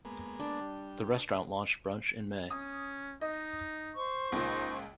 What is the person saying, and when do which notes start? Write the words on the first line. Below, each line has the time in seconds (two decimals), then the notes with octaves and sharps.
The restaurant launched brunch in May.
0.05 G#3 A#3 B3
0.40 D4
0.61 G3
1.11 A5 D#6
2.50 C#4 D#6
3.21 D#4 D#5
3.95 C5 C#6
4.32 C#2 A#2 D#4